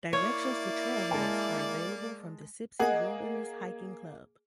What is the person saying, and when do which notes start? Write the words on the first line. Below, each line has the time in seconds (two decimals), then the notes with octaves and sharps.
Directions to trailheads are available from the Sipsey Wilderness Hiking Club.
0.13 A#3 E4 C#5 D5
1.11 G#3 A5
2.80 A#3 G#4 D#5 F#5